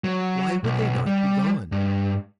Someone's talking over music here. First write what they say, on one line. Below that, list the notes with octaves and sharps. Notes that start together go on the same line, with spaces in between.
Why would they not be gone?
F#3
B1
G3
G2